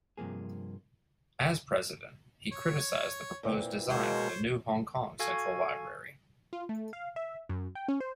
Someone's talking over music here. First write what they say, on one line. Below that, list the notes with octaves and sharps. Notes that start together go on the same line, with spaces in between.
As president, he criticised the proposed design for the new Hong Kong Central Library.
G2 C3 F3 A#3 G#4
C#5
A#2 E3 C4
B2 G#3 A#3 C5 C#5
F#4 A4 F5 G#5 C#6 G#6
F4
A3
F5
E5
F#2
G5
C#4
C5